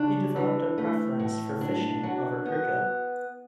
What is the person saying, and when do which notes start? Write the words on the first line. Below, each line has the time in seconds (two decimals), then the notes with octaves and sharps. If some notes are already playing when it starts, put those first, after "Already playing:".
He developed a preference for fishing over cricket.
Already playing: C#3 D4
0.36 E3
0.78 A3
1.20 A2
1.61 D4
2.03 F#3
2.45 B3